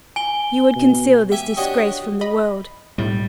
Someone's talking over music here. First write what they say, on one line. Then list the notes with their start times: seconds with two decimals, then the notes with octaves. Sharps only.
You would conceal this disgrace from the world.
0.16 G#5 G7
0.76 B2
1.31 G4 E5 G#5
1.57 D4 F#4 G4 C#5 D#5
2.21 D#5 B5
2.98 B1 A2 G3